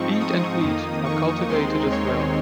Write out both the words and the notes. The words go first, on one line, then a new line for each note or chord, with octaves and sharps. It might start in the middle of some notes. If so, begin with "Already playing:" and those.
Beet and wheat are cultivated as well.
Already playing: G#2 F3 C4 D#4 C#6
D#6
F2 D#3 A#3 D#4
C#6
D#2 D#3 G#3 C4 D#4 C6
C#5